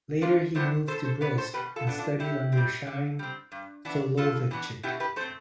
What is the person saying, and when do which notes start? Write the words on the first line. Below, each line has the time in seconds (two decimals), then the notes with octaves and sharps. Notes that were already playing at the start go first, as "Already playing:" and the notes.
Later he moved to Brisk and studied under Chaim Soloveitchik.
0.22 F2 D4 F4
0.55 E3 G3 B3 D4 A4 C5
0.87 B2 A4 C5
1.04 A4 C5
1.21 B3 B4 D5
1.26 D4
1.38 A4 C5
1.53 B2 G4 B4
1.76 F4 A4
1.87 B3 D4
1.98 D4 F4
2.20 D3 E4 G4
2.53 G3 C4
2.87 D3
3.19 G3 C4
3.52 G2
3.85 E3 B3 D4
4.17 G2 F4 A4
4.51 E3 B3 D4
4.83 B2 E4 G4
5.00 G4 B4
5.16 A3 A4 C5
5.21 C4